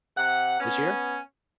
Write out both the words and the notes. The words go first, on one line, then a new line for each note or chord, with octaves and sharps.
This year?
C3 F#5
B3 C#4